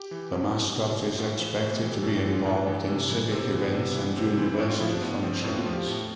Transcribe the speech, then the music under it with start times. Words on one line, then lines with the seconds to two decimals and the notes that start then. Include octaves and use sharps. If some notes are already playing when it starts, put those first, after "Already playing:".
The mascot is expected to be involved in civic events and university functions.
Already playing: G4
0.11 E3
0.33 B2
0.75 B2
1.18 A2 F4
1.39 E3
1.60 A2 A3
1.71 B3
1.82 E3 A4
1.92 G4
2.03 A2 A4
2.18 G4
2.25 E3
2.32 F4
2.45 A2 D4
2.67 E3
2.88 C3
3.10 E3
3.31 C3 C4
3.45 B3
3.52 E3
3.60 B3
3.74 C3
3.95 E3
4.16 C3 C4
4.37 E3 C4
4.54 E4
4.59 A2 D4
4.69 F4
4.80 F3 E4
4.91 D4
5.01 A2 B3
5.23 F3 C4
5.44 A2 D4
5.59 F4
5.66 F3
5.73 G4
5.86 A2